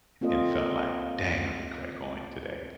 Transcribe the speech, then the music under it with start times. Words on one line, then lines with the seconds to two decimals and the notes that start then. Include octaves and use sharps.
and felt like, "Dang, I regret going today."
0.21 A#3 C4 F4 A4 D#5